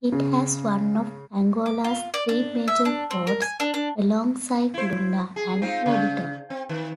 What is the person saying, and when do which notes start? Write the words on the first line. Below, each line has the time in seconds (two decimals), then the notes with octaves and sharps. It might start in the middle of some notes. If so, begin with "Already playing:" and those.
It has one of Angola's three major ports, alongside Luanda and Lobito.
0.12 C#3
1.66 D6
1.84 F4
2.14 D5
2.29 D4
2.68 E5
2.85 D4
3.11 C4
3.27 A#4
3.42 G#5
3.60 D4
3.74 D4
4.74 E4 C5
5.36 G#4
5.62 C4 D#4 F4
5.86 C#3
6.50 C4
6.69 D#3